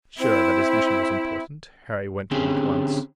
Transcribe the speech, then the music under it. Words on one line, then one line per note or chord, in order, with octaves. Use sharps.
Sure that his mission was important, Harry went to him at once.
C4 E4
D3 C4 C#4 G4 G#4